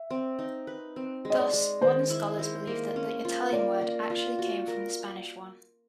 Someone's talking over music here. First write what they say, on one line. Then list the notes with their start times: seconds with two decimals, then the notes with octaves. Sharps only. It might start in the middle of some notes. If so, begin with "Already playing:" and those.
Thus, modern scholars believe that the Italian word actually came from the Spanish one.
Already playing: E5
0.10 C4
0.39 D#4
0.67 B4
0.96 C4
1.25 G#3
1.30 D#5
1.39 D5
1.53 G#3
1.82 D#3 C5
2.10 E4
2.39 G#3
2.67 A#3
2.96 C#4
3.25 F4
3.52 A#3 D5
3.81 A#3
4.10 F4
4.39 F#4
4.68 A#4